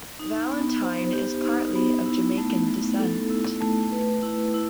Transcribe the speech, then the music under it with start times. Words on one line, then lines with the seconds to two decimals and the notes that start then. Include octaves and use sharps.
Valentine is partly of Jamaican descent.
0.20 D#4
0.52 B3
0.82 C5
1.13 G4
1.44 D#4
1.75 B3
2.06 E4
2.37 A3
2.68 A3
2.99 A4
3.30 E4
3.60 A3
3.92 B4
4.23 E4
4.54 E4